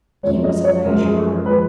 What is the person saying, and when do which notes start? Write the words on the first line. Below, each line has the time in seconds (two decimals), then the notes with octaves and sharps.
He was a Nyjorder.
0.23 F#2 F3 G#3 C#5
0.44 D#5
0.64 C#5
0.85 F#2 F3 G#3 A#4
1.05 G#4
1.25 A#4
1.46 F3 G#3 B4